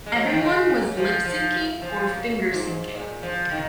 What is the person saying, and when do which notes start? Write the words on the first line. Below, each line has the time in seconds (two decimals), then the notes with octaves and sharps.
"Everyone was lip synching or finger-synching."
0.06 G#3
0.15 F#3
0.24 F3
0.32 D#3
0.41 C#3
0.70 F#2
0.97 F3
1.25 F3
1.82 F3
2.10 F#2
2.53 G#2
2.95 A#2
3.23 F3
3.51 D#3